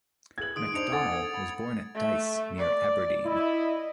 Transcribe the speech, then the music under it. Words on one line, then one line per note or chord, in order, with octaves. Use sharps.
Macdonell was born at Dyce near Aberdeen.
E4 G#4 B4 G#6 F#7
D#3 F4 D#6 D7
D4 D#4 C5 C#7 F7
A4 F#5 G#5 D6 G#6 A6
B5
A3
D5
E4 D#5